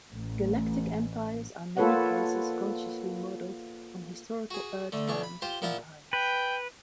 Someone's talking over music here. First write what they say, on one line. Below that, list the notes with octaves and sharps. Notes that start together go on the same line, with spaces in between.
Galactic Empires are many cases consciously modeled on historical Earth-bound empires.
A1
A#3 F4 A4 B4 C#5 F#5
F#4 G#4
D3 A3
B1 D4 C#5
B5
F4 G4 C5 C6
A#2 F3 E4 F4 F#5
B4 G5